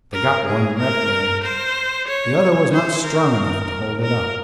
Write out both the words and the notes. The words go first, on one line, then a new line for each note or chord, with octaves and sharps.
They got one rep ray. The other was not strong enough to hold it up.
A#4
G#4
A#4
C5
C#5
C5
A#4
A#4